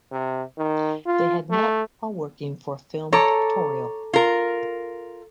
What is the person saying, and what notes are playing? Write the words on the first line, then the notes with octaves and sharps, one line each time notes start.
They had met while working for "Film Pictorial".
C3
D#3
F4
A3
A4 C#5 A#5 D6
F4 A#4